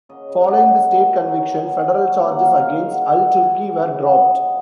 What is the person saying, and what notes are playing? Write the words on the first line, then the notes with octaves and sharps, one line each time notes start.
Following the state conviction, federal charges against Al-Turki were dropped.
C#3 D#5
C#3
G#3 F#5
B3
D#3 F#5
D#3
F#3
B3
B2 G#5
B2
F#3
A#3
D#3 F#5
F5
D#3
F5
G#3
B3
B2 F#5
B2 F#5
G#3 G#5
B3
C#3
C#3 F#5
F#5
F3 D#5
B3